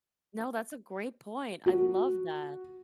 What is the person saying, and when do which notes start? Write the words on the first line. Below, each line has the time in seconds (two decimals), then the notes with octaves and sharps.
No, that's a great point, I love that.
1.66 F#4